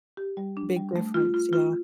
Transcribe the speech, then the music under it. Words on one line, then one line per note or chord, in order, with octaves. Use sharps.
Big difference, yeah.
G4
G3
D4
G3
A3
F4
F4
F4